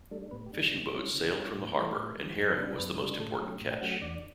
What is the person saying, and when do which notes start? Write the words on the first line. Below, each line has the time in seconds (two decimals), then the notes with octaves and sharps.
Fishing boats sailed from the harbour and herring was the most important catch.
0.11 G3 A3 D4 A4
0.31 A2 B3 B4
0.46 G4
0.53 G3 D4
0.73 C#3
0.94 G3 C#4
1.13 C#3
1.34 G3 C#4
1.54 A2 G4
1.75 E3 G3 A3 A4
1.97 A2
2.17 E3 G3
2.38 F#2
2.58 C#3 G3 B3 D4 B4
2.78 F#2 B3 B4
2.99 C#3 G3 A3 D4 A4
3.19 A2 A3 A4
3.40 F#3 A3 A4
3.44 C#4
3.61 A2
3.70 G4 G5
3.80 F#3 A3 C#4 F#4 F#5
3.91 F#4 F#5
4.02 E2 D4 D5